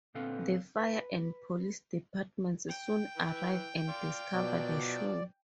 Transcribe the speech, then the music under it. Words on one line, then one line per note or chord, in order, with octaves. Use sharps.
The fire and police departments soon arrive and discover the show.
A#2 D3 B3 C4 A4 F5
B4
G5
E3 B4
D5 F5 C6
B2 F3 F#3 D5